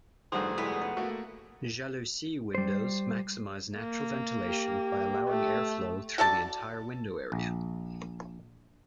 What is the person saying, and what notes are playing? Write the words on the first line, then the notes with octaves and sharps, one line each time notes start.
Jalousie windows maximise natural ventilation by allowing airflow through the entire window area.
F1 G2 D#3 F#4 G#4 C5
E3 G3 G#3 B3
A3 A#3 F#4
G3 C5
A#3
G4
A3
F#4 A4 D5 A5
A#1